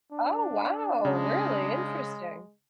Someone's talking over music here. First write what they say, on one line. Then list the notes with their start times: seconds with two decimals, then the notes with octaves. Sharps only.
Oh, wow, really? Interesting.
0.13 D4
1.05 C#3 G#3